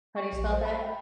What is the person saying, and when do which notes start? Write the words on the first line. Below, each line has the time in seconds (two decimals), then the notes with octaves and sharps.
How do you spell that?
0.16 C#6
0.33 A#1
0.52 C5
0.65 B5
0.83 G5